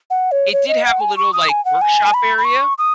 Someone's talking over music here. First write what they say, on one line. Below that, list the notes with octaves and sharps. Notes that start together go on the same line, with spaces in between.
It did have a little, like, workshop area
F#5
C#5
C#5
D#5
F#5
G#5
C#6
D#6
G#5
F#5
G#5
B5
B5
C#6
D#6